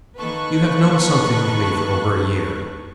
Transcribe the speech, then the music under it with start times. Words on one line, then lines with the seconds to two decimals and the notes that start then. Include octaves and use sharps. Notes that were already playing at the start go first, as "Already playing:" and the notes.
You have known something of me for over a year.
0.19 D#3 A#3 A4 B4 C#6 F#6